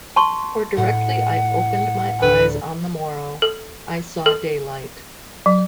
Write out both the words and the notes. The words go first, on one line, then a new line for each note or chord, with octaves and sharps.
For directly I opened my eyes on the morrow, I saw daylight.
A5 C6 C#6
A2 F#5
D2 A4 B4 C#7
A4
A4
F#3